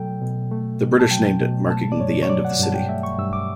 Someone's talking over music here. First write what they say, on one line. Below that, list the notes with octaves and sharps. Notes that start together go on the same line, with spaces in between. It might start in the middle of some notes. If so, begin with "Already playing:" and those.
The British named it marking the end of the city.
Already playing: B2 F#3 A3 A4 G5
B2
A3
B2
A5
F#3 G5
B2
A3 A5
D5
G2 C#5
C#5
F#3 D5
F#5
G2 A5
G5
A3 E5
C#6
G2 E6
D6